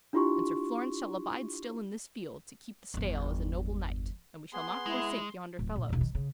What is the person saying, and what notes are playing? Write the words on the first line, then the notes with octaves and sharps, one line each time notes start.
And Sir Florence shall abide still in this field to keep the stale as a noble knight, and we shall not forsake yonder fellows.
D4 E4 F4 G4 C6 C#6
G1 E2
B3 G#4 C6
G#3 E4
D1
A#2
B1 E2
D#3
C#3